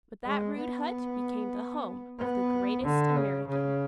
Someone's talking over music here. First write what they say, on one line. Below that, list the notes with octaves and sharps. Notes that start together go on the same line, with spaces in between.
But that rude hut became the home of "the greatest American."
G#3
B3
B3
D3
C#3
C#3